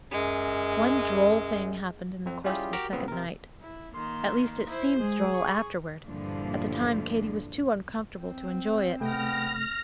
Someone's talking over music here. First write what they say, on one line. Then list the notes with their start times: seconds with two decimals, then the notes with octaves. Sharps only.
One droll thing happened in the course of the second night,--at least it seemed droll afterward; at the time Katy was too uncomfortable to enjoy it.
0.11 F#2 G#3
2.26 F2 C4
2.44 G3 C#4 E4 F4 G4 G#4
2.73 F#4 G4 A#4 G5 A#5
2.92 A#2 C#3 B3 C4
3.08 C3 A#4
3.61 E4
3.94 D#3 A#3 C6
4.67 E4 C5
5.00 G#3 G#4
5.34 C#6
6.05 G2 A#2 D3 E3 F3
8.20 C4
9.01 C3 G#3 A3 B3 G5 F6 A#6